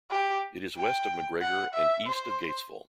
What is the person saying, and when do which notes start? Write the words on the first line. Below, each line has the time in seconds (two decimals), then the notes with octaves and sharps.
It is west of McGregor and east of Gatesville.
0.11 G4
0.77 G5
1.41 F#5
1.74 E5
2.06 C5